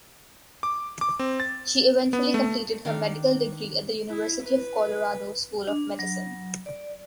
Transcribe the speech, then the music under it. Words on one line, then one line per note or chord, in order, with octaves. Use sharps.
She eventually completed her medical degree at the University of Colorado School of Medicine.
D6
D6
C4
A6
B3
A3
D#3 D4 F5
E4
B4
D4
F#3
D5